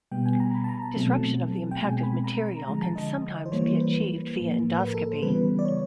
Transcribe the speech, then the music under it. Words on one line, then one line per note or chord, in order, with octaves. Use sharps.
Disruption of the impacted material can sometimes be achieved via endoscopy.
B2 G3 B3 G5
G#5
A#5
B5
A5
A#5
A5
B2 F#3 A3 C4
G5
B2 G#3 C4 G#5
B5
A#5
A#5
D3 F3 G#3 A#5
A5
D#5
C5
E3 G3 A#3 C#5
C5
B4
A2 F3 A#3
B4
A#4
A4
C5
C#3 E3 G3 B3 B4
D5
C#5